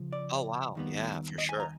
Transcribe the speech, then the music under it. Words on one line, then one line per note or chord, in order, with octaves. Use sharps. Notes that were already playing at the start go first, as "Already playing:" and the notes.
Oh, wow. Yeah, for sure.
Already playing: C#3 F3
D5
D#2 D#3 G3 B3 D#4
D#5
G#5
A#5